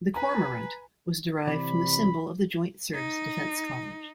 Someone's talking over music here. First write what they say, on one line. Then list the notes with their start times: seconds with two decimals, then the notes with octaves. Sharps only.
The cormorant was derived from the symbol of the Joint Service Defence College.
0.14 B4 G#5 A#5
1.47 C3 E3 D5 B5
2.95 D#4